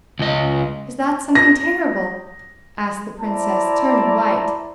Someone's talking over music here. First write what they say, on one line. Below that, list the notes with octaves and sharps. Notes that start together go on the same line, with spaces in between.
"Is that something terrible?" asked the princess, turning white.
C#2 D#5
A#6
E4 C5 D5 A5 A#5